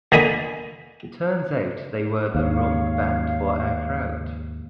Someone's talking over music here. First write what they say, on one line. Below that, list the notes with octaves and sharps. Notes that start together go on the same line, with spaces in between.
Turns out they were the wrong band for our crowd.
D3 A#3 D#5 G#5 B5
D#2 G#2 C#5 F5